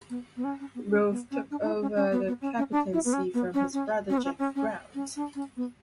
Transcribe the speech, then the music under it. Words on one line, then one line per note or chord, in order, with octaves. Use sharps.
Rolph took over the captaincy from his brother Jackie Grant.
B3
B3
C#4
C#4
B3
C#4
B3
C#4
D4
D4
E4
C#4
C#4
B3
B3
C#4
C#4
D4
E4
B3
C#4
B3
C#4
C#4
C#4
B3
C#4
C#4
C#4
C#4
D4
C#4
B3